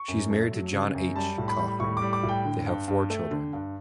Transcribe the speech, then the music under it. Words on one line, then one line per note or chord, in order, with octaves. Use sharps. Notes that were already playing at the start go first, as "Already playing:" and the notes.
She is married to John H. Cochrane; they have four children.
Already playing: C#6
F#2
A3
F#3
C#3
F#2
G3 A5
A2
B5
G3
A2 C#6
G3 D6
D6
A2
G5
D3
G2
G2
A3
D3
G2